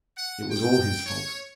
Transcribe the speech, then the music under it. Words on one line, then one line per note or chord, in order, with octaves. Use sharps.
It was all his fault.
F#5
G5
C#5